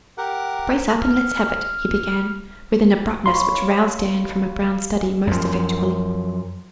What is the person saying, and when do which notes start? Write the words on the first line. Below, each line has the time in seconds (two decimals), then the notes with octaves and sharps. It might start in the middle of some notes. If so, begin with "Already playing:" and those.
Brace up, and let's have it,' he began, with an abruptness which roused Dan from a brown study most effectually.
0.18 G4 A#4 F#5
1.02 F6
3.26 C#5 F5 B5 C6
5.27 F#2 F3